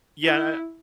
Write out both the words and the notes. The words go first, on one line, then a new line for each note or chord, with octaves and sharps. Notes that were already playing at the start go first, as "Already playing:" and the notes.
yeah, and, I
E4